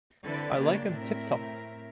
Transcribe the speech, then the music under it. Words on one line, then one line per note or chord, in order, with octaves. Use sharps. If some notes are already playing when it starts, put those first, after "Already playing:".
I like 'em tip-top.
D3 C4 E4 A4 B4 D5
C#3 A#3 D4 G4
A2 C4 A#4 E5